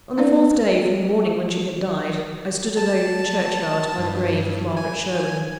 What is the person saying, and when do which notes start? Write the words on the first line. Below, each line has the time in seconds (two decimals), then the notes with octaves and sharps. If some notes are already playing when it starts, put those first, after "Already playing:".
On the fourth day from the morning when she had died, I stood alone in the churchyard by the grave of Margaret Sherwin.
0.18 B3 C#4 D#4 B4 D5 F5
2.77 A5
3.98 G2
4.77 G#5